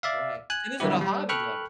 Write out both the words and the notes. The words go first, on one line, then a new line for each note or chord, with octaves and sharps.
Right. But, then, is it a hobby, though?
D5 E5 F5
G#5 F#6
B2 D3 F#3 G3 E4 G4
G3
A4 G5 B5 C#6 F6 F#6